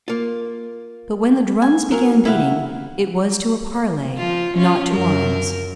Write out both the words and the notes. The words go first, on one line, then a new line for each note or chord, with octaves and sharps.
But when the drums began beating, it was to a parley, not to arms.
A#3 F4
G#5
F#3 A#4
C3 E4 F5 F#5
F3 F4
C#4 F4
F#2 A#4